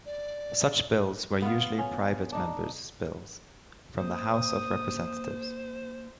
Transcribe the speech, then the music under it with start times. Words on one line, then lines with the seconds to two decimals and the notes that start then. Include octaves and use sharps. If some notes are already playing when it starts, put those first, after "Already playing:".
Such bills were usually private member's bills from the House of Representatives.
0.06 D5
1.42 B3 F4
1.78 C#4
2.32 D4 D#4
3.98 A#3 C5 D#6